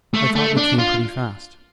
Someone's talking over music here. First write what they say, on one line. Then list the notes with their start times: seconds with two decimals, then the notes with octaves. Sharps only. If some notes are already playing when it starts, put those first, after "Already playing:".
"I thought we came pretty fast."
0.14 A3
0.35 A3
0.57 D4
0.78 F4